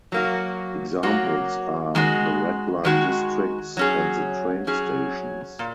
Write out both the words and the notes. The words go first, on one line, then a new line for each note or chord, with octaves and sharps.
Examples are the red-light districts and the train stations.
F#3 A#3 F#4
F#3 A#3 F#4
D#3 G#3 F#4
D#3 G#3 F#4
F#3 C#4 G#4
F#3 C#4 G#4
A#2